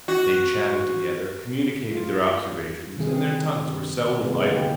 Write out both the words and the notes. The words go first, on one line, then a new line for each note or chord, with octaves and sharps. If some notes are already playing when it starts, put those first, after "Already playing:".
They chatted together, communicated their observations, and their tongues were seldom idle.
F#4
F4
C3 D#3 G3 C4 G#4
C3 G#3 A#3 B3
D3 G4